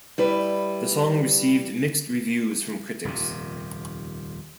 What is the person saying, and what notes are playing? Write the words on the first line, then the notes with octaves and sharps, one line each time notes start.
The song received mixed reviews from critics.
G3 E4 B4
D#1 F2 C3